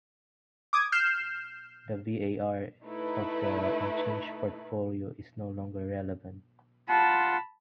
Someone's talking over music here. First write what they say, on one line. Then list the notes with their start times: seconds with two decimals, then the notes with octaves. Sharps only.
The VaR of the unchanged portfolio is no longer relevant.
0.73 D6 D#6 G#6
0.92 F6 G6 C7 E7
2.83 A3 D#4 E4 B4
6.89 F4 F#5 A5 B5 C6